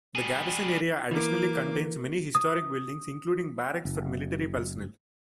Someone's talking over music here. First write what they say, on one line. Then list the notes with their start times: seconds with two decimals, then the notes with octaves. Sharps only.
The Garrison area additionally contains many historic buildings including barracks for military personnel.
0.15 G3 G#4
1.11 E3 A#3 D6
2.35 D#6
3.85 F#1